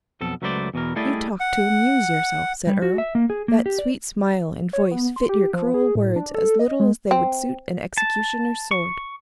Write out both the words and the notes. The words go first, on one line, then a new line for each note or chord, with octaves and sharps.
"You talk to amuse yourself," said Earle, "that sweet smile and voice fit your cruel words as little as they would suit an executioner's sword."
B1 F2 B2 A4
C#2 F#3 A3 B4 C5 D5
E2 B2 E3 A#4
G3 A3 E4 G#4 D5 D#5
F#5
G3
F#4
E5
A#3
G#4
A#3
G4
D5
C#5
B3
C6
G4
F3
G#4
A2
D4
A4
D#5
G#3
C4
A5
C#6